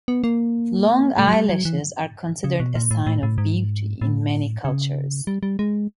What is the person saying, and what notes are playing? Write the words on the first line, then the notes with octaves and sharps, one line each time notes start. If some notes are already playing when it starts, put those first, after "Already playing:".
Long eyelashes are considered a sign of beauty in many cultures.
B3
A#3
A3
F#3
G3
F#3
E3
C#3
B2
A#2
A2
A2
A2
G#2
A2
C#3
G3
G3
G#3